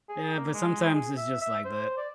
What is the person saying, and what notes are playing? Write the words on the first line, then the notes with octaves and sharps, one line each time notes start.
Yeah, but sometimes it's just like that.
G#4
A#3
G#3
G#4
E5
E5
C5
D5